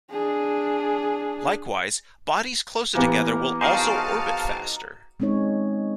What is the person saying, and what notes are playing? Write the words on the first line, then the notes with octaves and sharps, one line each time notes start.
Likewise, bodies closer together will also orbit faster.
D4 G#4
E3 A#3 B3 G4
D#4 F#4 G#4 A#4 C5 F5 A5
G#3 C4 C#4 D#4 C#5